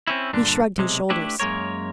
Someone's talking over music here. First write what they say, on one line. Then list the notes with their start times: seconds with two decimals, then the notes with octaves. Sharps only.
He shrugged his shoulders.
0.07 C4 C#4 E4
0.33 G2 A#2 D3 D4
0.78 B1 C3 G#3
1.10 A3 D4 E4 G4 B4
1.40 F#2 G#3 A#3 A#4 C#5